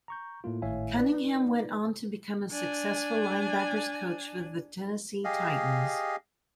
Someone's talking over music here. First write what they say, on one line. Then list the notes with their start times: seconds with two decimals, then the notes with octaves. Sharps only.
Cunningham went on to become a successful linebackers coach for the Tennessee Titans.
0.08 A#5 C#6 G6
0.44 A2 A3 A#3 F4
0.62 G#1 A2 C#5 E5 F5 G#5
0.98 D#4 B4 D5
2.52 D4 G#5
5.24 G4 G#4 D#5 F5